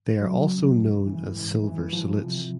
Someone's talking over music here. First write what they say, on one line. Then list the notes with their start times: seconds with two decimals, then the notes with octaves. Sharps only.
They are also known as silver salutes.
0.21 F#3
0.50 C#3
0.78 G2
1.07 E3
1.35 G#2
1.64 E3
1.93 F3
2.22 C3